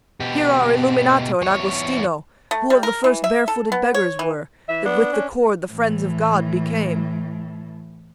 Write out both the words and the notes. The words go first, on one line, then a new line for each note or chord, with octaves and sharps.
Here are Illuminato and Agostino, Who of the first barefooted beggars were That with the cord the friends of God became.
B2 G4
E2 C#5
A3
G3
A#4
E3
E5
A4
B3
C#5
E3
E3 E5
B3 D4
C#4
A2 E3